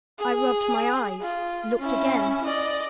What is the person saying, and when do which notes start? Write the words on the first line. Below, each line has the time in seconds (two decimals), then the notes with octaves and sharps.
I rubbed my eyes; looked again.
0.19 G#4
1.21 F4
1.79 C#4 E4
2.45 D5 D#5